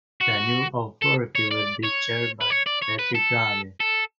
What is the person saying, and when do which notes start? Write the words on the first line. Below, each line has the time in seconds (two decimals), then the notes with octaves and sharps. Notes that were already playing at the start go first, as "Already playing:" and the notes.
The new authority will be chaired by Patrick Garnett.
0.21 F#4
1.02 A4
1.35 C#5
1.51 D5
1.84 C#5
2.41 B4
2.50 C#5
2.66 D5
2.82 C#5
2.99 B4
3.15 A4
3.80 A4